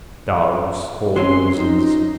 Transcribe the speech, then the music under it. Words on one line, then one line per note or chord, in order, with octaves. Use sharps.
Dogs' cold noses.
F#3 C4 C#4 C6
D#4